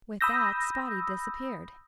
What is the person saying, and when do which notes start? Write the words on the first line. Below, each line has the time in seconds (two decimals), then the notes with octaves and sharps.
With that Spotty disappeared.
0.21 B5 D#6 E6 G6 A#6